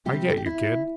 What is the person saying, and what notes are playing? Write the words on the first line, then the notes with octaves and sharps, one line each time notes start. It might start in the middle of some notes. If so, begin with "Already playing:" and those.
"I get you, kid."
C3 G3 C4 G4
A4
G4
E4